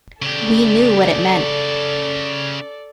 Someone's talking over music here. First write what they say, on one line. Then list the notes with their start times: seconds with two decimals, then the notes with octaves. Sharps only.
We knew what it meant.
0.22 C#3 G4 A4 D5